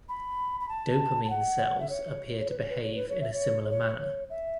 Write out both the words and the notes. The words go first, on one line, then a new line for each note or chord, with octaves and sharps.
Dopamine cells appear to behave in a similar manner.
B5
B5
A5
A5
F#5
E5
C#5
C#5
B4
C#5
B4
C#5
B4
C#5
E5
C#5
C#5
E5